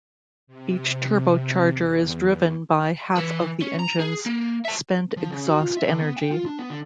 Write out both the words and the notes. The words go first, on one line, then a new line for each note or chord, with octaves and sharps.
Each turbocharger is driven by half of the engine's spent exhaust energy.
C3
E2
E3 B4
C#4
A#5
G#4
A#3
E5 A5
F3
C#3
F#4
F4
E5
D3
B3
G5
F4
D4
B3
D3